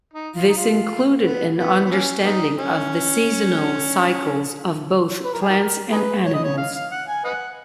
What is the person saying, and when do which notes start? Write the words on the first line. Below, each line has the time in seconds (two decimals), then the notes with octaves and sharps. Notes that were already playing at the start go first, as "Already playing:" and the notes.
This included an understanding of the seasonal cycles of both plants and animals.
0.14 D#4
0.35 F4
0.49 D#4
0.57 F4
1.25 B3
1.58 B3
1.86 B3
1.91 F#3 A#3 C#4
2.25 G#3 B3 D#4
2.58 C#4
5.25 B4
5.33 A#4
5.42 G#4
5.49 D#4 F#4 A#4
5.92 D#4 G#4 B4
6.25 C#5
6.34 D#5
6.44 C#5
6.58 F5
6.75 F5
6.92 F#5
7.08 G#5
7.25 B4 D#5 F#5